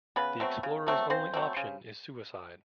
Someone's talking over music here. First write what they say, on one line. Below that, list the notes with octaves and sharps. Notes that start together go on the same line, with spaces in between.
The explorer's only option is suicide.
C#3 B3 B4
F#3 A3 C4
C#3
F#3 A3 C4
C#3 C4 C5
F#3 A3 C4
C#3